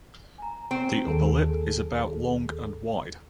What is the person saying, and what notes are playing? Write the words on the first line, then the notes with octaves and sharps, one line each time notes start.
The upper lip is about long and wide.
G#5 A#5
C4 D7
D#2 G#4 A4